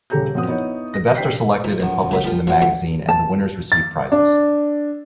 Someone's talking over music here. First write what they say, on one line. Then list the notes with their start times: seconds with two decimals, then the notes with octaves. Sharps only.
The best are selected and published in the magazine and the winners receive prizes.
0.10 D#1 C#3 G4 A4 A#5 G6
0.34 A#1 F#2 C4 F#5 D#6
0.47 B3 D#4 E4 C#5
0.94 A#6
1.15 D4 G5 B6 C7
1.64 E3 F3
1.80 F#2 D#3 F3 A#5
2.11 C#3 F#3 B3
2.24 F3 G3 B3 F4 A#4
2.47 F3 F4 F#4 C#5 F5
2.61 D3 F3 B3
3.09 A5
3.72 A6
4.12 D4